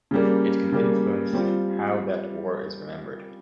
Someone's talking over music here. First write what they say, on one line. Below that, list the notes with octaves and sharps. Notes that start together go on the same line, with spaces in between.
It can influence how that war is remembered.
C#3 G3 A#3
C#3 G3 A#3
G3 C4 F4